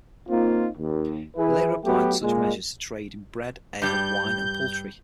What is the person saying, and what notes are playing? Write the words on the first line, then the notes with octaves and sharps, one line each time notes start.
He later applied such measures to trade in bread, ale, wine and poultry.
A#3 C4 D#4 F4
D#2
E3 E4 G#4 B4
F#3 A3 B3 F#4 G4
A#2 G#3
G2 G3 G6